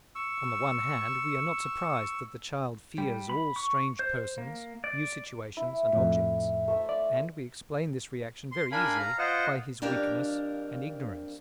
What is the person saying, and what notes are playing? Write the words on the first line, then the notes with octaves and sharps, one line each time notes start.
On the one hand we are not surprised that the child fears all strange persons, new situations and objects, and we explain this reaction very easily by his weakness and ignorance.
C#6 E6
G3
B5
C#6
C5
A#3
D5
E4
F2 A2
A3 C5 E5
D5
C6
D4 A#4 F5 G#5 B5
F5 A#5
F4 C5 D#5 F#5
F2 D4 G4 A#4 F5